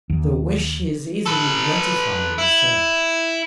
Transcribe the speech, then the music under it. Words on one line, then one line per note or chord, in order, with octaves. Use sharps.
"The wish is easily gratified," he said.
D#2
A4 B4
E4